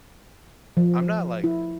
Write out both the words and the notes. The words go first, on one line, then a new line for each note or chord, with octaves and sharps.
I'm not, like
F3
E4